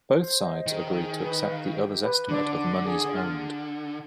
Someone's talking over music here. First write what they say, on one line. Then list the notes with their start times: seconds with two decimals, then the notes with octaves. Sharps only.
Both sides agreed to accept the other's estimate of monies owned.
0.13 C5
0.40 D#5
0.66 D#3 G#4
0.93 G#4
1.21 B4
1.48 F5
1.74 G4
2.01 B4
2.28 D3 D4
2.55 D4
2.82 G#4
3.08 F4